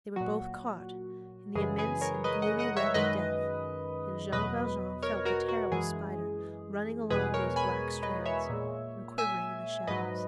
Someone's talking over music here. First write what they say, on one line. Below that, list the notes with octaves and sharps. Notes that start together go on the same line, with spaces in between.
They were both caught in the immense and gloomy web of death, and Jean Valjean felt the terrible spider running along those black strands and quivering in the shadows.
A#2 F#3 F#4
F#2 C#3 E3 G#3 G#4
G#4 B4
A#4 C#5
B4 D#5
D#5 F#5
D#5 F#5
C#5 E5
F#2 D#3 G#3 B4 D#5
E2 B2 F#3 B4 D#5
A#4 C#5
F#4 A#4
F#4
F#2 E3 G#3 G#4
E2 B2 G#3 G#4 B4
A#4 C#5
G#5 B5
B4 D#5
C#5 E5
A#2 G#3
E5 G#5
G#2 F#3 B4 D#5